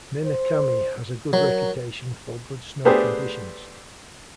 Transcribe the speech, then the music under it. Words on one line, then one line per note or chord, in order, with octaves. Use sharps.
Minakami has a good reputation for good snow conditions.
C5
F#3 A#4
A3 B3 D4 G4 G#4 C5